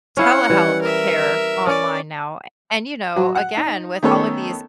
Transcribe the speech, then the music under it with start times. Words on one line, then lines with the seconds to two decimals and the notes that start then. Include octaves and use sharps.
telehealth care online now, a and, you know, again, with all of these
0.17 C#4 E4 F5 F#5
0.50 E3 G3
0.81 A#4 E5
1.67 C#4 D5
3.16 F#3 F#4
3.35 F#5
3.57 D#4
4.03 D#3 A3 B3 C#4 A4 C#5